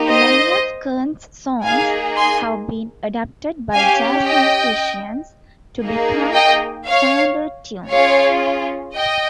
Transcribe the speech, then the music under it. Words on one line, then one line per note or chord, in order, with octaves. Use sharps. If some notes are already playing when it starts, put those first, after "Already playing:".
Many of Kern's songs have been adapted by jazz musicians to become standard tunes.
Already playing: A#3 D#4 G4
C5 D#5
A#3 D#4 G#4 F5 G#5
G#5 C6
C#4 G4 F5 G#5
D#5 G5
A#3 D#4 G#4
D#5 G5
C#5 F5
C#4 F4 G#4 C#5 F5
D#5 G5